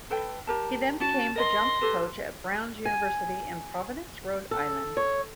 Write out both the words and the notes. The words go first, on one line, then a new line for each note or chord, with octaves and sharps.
He then became the jumps coach at Brown University in Providence, Rhode Island.
A4 B4 G5
G4 A#4 A5
C#4 F#4 A5
A#4 D#5 C6 A#6
G4 A4 B4
G#5
A4
C#5